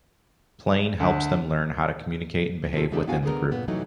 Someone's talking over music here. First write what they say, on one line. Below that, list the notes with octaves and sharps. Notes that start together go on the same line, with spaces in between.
Playing helps them learn how to communicate and behave within the group.
D2
C3 C#4 F4 A4
C#3 G#3 D4 D#4 G4 A4
B3 D4 E4 F#4 F5 G#5
D3 B3 G#4 A#4
G2 A#2 B3
F2 C3 E3 F#3 A3 D#4